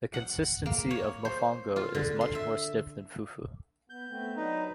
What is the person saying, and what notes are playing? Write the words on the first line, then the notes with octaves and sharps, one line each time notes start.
The consistency of mofongo is much more stiff than fufu.
F#5
A#3
C#5
C5
F4
D3
C6
E5
B3 G6
A3 B3 C4
F#3 D4 D#4 B4